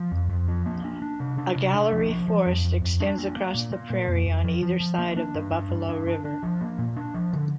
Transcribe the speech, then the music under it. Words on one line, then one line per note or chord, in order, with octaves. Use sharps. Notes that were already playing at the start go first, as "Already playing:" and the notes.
A gallery forest extends across the prairie on either side of the Buffalo River.
Already playing: F3
F2
F2
F3
A#3
D4
D4
C3
D4
C3
D4
F3
F3
F3
F2
F2
F2
D4
A#3
A#3
A#2
A#3
A#2
F2
F2
F3
F3
F3
A#3
D4
G2
D4
G2
D4
D4
D4
F3
A#3
A#2
D4
F3
D3